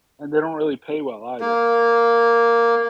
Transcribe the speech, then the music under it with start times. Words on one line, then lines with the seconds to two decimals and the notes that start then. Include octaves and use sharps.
And they don't really pay well either.
1.40 A#3